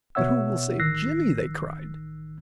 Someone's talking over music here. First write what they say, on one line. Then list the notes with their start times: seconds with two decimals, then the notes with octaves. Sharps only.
"But who will save Jimmie?" they cried.
0.15 B2 B3 C#5 E5 F#5 E6
0.79 A1 D#3 E6 F#6 A#6 C7